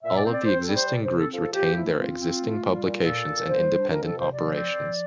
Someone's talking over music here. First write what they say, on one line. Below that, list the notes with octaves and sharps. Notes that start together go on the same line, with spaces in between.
All of the existing groups retain their existing publications and independent operations.
A#2 E5
D5
C4
D5
C4 C5
A4
G3
C5
C3 D5
C5
C4
A4
F3 A4
F3 G4
A3 E4
C4 F4
C4
A3
G3
A#2
A#2 A4
A#2
A#4
G3 C5
D4
F2 A#4
A4
C3
C5
F3 D5
C4
F3